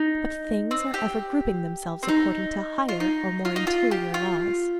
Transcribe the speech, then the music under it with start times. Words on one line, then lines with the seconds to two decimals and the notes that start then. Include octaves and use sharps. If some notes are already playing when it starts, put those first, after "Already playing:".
But things are ever grouping themselves according to higher or more interior laws.
Already playing: D#4
0.71 C4
0.94 G4
2.03 C4
2.08 D#4
2.89 F4
3.00 D#4
3.45 F4
3.56 D#4
3.67 F4
3.91 G4
4.14 F4